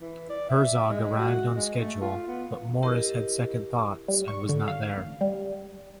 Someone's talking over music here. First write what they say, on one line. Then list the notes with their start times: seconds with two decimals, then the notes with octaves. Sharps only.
Herzog arrived on schedule, but Morris had second thoughts and was not there.
0.01 E3
0.29 D5
0.49 E5
0.89 G#3
1.19 F#4
1.56 G#3
1.80 A3
2.02 F4
2.28 B3
2.83 E4 G4 A#4 D#5
4.08 G3
4.28 C#6
4.49 D3
4.68 F5
4.97 A1
5.21 G3